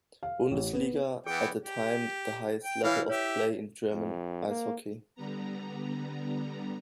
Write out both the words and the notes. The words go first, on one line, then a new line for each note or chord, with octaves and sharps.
Bundesliga, at the time the highest level of play in German ice hockey.
F5
A1
B3
E3 B3 G#4 G5
G4
G5
E3 E4 B4 C#5 F5
G4 C#5 E5
F2
A#3
D3 G3 B3 A#5